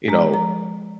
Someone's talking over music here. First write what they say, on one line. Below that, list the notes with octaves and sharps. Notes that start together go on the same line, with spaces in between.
you know,
G#3 A#5
F3 A#5